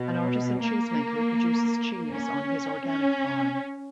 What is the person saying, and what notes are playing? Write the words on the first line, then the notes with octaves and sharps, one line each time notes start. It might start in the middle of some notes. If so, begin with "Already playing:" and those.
An artisan cheesemaker produces cheese on his organic farm.
Already playing: B2
A#3
C#4
C#4